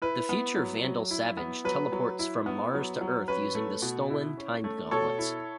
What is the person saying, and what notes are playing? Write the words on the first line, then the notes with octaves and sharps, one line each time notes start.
The future Vandal Savage teleports from Mars to Earth using the stolen Time-Gauntlets.
E4 B4
B3
F#3
F#3
E4
B3
F#3 B4
F#3
E4
B3
F#3
F#3
C#4 B4
A3
B2
E4
C#4
A3
B2 A4 C#5
E4